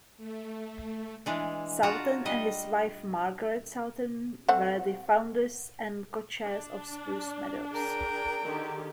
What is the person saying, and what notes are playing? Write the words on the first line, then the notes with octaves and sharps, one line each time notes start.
Southern and his wife Margaret Southern were the founders and co-chairs of Spruce Meadows.
A3
E3 G#3 D4
D4 F4 F#4 A5 A#5
G3 D4 D#5
A3 C4 F#5
D4
G#4 A#4 G5
D3 D#3 G4